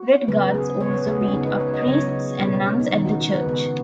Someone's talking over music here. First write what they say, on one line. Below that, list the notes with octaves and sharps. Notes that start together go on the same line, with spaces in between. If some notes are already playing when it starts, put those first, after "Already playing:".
Red Guards also beat up priests and nuns at the church.
Already playing: F#4
C#3 F#3 B3 B4
G#4
C#3 B3 C#5
B4
G#4
F#4
C#4
C#3 G#3 B3 D#4
B4
C#5
D#5
C#3 F#3 B3 C#5
B2 G#3 B3 C#5
C#5
C#4
D#4
D#3 B3 D#4
F#4
F#4
B4
C#3 G#3 B3